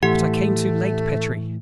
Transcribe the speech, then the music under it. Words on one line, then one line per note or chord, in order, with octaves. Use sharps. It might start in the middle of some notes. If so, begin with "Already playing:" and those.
But I came too late, Petrie!
A2 E3 A3 G4 F#5